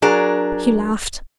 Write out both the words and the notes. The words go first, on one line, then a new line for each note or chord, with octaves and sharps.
He laughed.
F#3 D4 G#4 A#4